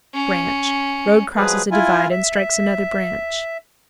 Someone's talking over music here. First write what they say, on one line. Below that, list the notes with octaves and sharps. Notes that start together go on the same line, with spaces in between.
Branch.--Road crosses a divide and strikes another branch.
C#4
F3 F#3 G#3 G#4 B4
E4 F4 G#5
E5